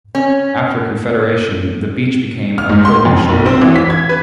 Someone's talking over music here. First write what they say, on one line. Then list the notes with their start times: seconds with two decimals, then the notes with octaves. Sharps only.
After Confederation, the beach became a provincial park.
0.15 C#4
2.58 F6
2.69 G#2
2.85 C6
3.05 F2
3.29 B1
3.46 C4
3.62 E3
3.75 B6
3.90 G#6
4.09 B4